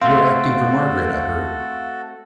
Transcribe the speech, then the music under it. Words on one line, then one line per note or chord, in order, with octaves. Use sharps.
"You are acting for Margaret, I heard."
A3 C4 F#4 A4 F5 C6